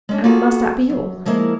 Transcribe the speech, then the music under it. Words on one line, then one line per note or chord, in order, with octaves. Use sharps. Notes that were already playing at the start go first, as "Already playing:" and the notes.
"And must that be all?"
G#3 C#4 D4
A#3 B3 F4 F#4 G#4 A4
F#2
F3 G#3 A#3 E4 A#4